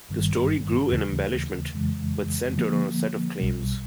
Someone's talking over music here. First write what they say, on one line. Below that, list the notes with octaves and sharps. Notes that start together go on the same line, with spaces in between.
The story grew in embellishment but centred on a set of claims.
G#1 G2 D#3 G3
D#2 C#3 E3 A3
F2 C#3 E3 G#3
D3 F3 A#3
B1 B2 G3